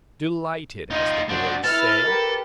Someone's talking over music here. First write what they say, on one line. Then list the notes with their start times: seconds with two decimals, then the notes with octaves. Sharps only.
Delighted, as the boys say.
0.91 D#4 F4
1.29 D4 F#4 C5
1.64 E4 A4 B4 F6
2.02 G4 A#4 B4